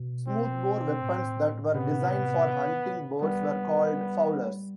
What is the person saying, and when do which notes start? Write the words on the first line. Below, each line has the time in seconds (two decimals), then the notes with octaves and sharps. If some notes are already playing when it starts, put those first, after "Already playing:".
Smoothbore weapons that were designed for hunting birds were called fowlers.
Already playing: B2
0.28 C4
1.02 A2
1.74 C3 B3
3.22 G3 B3
3.96 G3